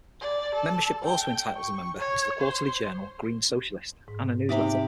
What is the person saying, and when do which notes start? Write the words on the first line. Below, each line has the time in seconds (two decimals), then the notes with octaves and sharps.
Membership also entitles the member to the quarterly journal "Green Socialist" and a newsletter.
0.21 D5
0.55 A4
1.03 G5
1.57 C#6
2.00 C#5
2.40 C5
4.08 G#2
4.49 C3 D#4 E5 B5 D6